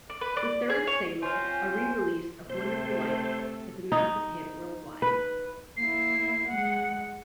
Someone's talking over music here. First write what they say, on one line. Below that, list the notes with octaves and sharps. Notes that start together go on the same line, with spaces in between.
The third single, a re-release of "Wonderful Life", was a massive hit worldwide.
D5
B4
D5
G#4
C#5
C4 C#4 F4 C5 G#5
C3 A3 A4 C5
D#4
B4
A#3 E4 C7
G#3 F#5